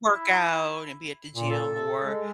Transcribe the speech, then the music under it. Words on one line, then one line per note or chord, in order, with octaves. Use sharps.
work out and be at the gym more,
E4
A#2
A4
A4
G#3